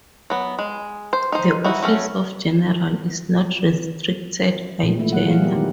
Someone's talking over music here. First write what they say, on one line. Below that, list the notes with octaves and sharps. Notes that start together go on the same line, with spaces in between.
The office of General is not restricted by gender.
F#3 B3
G#3
C5
D#4 C5
D#4 E4 F#4
F#3 A3 C#4
A#2
G#3 A3 E4
F#3 G#3 F#5
E3 G#4 F5
E3 G3 B3 G4 A#4
D#3 D#4 E4